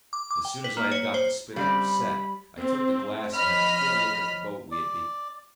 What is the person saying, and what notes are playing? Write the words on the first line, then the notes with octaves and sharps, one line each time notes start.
As soon as I had got the spinnaker set, I took the glass and had a good look at the boat we had beaten off.
D6
D6
G5
B4
A#3
C#5
C5
C#3 G3 C4 D5 B5
C4
F3 C#5 D#5 B5 F6 B6
D5